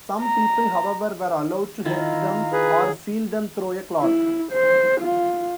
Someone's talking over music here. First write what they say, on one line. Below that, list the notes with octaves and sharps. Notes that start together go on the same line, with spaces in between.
Some people, however, were allowed to heft them or feel them through a cloth.
A#5
D#3 E4 F4 F5 A#5
G#4 B4
E4
C5
F4